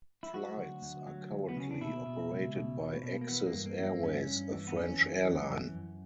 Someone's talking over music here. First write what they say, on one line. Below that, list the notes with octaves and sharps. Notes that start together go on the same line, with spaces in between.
Flights are currently operated by Axis Airways, a French airline.
E4
F#3 F#4
D2
D2
F#3
D2
B3
C#3 C#4
D4
B2 E4
B2
C#2
B2
B2
B2
A#3
E3 B3
A#3
G2
A#3
E3
A#3
G2 C#4
G2
E3
B3
E3 C#4
F#2
E3
F#2
F#2